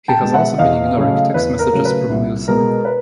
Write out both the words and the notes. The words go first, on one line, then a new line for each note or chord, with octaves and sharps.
He has also been ignoring text messages from Wilson.
G5 A5
B2 G#3
E5 F#5
E2 D#5 F5
C#3 F#3 A3
E2 B4
A#4
C#3 F#3 A3
B4
C2
B2 G#3 A#4
B4